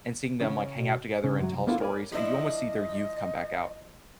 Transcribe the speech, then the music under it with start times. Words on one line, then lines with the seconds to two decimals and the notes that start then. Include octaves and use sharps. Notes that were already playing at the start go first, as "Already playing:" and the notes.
and seeing them, like, hang out together and tell stories, and you almost see their youth come back out.
0.40 C#3 C#4
0.76 B2
1.24 C#3
1.40 F#2 F#3
1.53 C2 F#2
1.67 A#3 B3 D4 E4 F4 A4
1.80 A#4 C#5 D5 F5 G#5 B5
2.12 F3 D4 E4 D#5